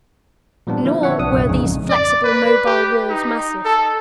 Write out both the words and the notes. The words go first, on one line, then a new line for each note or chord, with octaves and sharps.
Nor were these flexible, mobile walls massive.
A#2 F3 G3 B3 D4
D3 F3 E4
C4 D4 C#5 E5 F#5
B1 B3 D4 D#6
A#1 F2 C3
F2 G#2 C#3 D#4
D5
B4
G4
D#4
A4